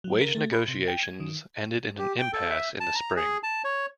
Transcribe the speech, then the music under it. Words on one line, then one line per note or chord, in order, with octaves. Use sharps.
Wage negotiations ended in an impasse in the spring.
F#3
A#4
A3
B5
C3
G5
G#6
D#3
G4
G5
A4
E5
A5
A#5
G#4
A5
C#5